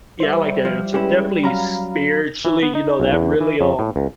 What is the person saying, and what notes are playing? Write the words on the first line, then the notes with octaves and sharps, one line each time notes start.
Yeah, I like that answer, definitely spiritually, you know, that really, um
G3 C5 E5
F3
G#3 C#4 E4 G4 G#4 B4
F#3 C#4 F5 A#5 B5
E3
B3
D#4
B1
E2
E3
F2
A2
C#2